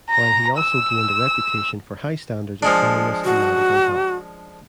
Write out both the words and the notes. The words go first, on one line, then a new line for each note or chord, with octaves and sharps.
While he also gained a reputation for high standards of cleanliness and medical health.
A#5
E6
F3 G#3 D4
F#4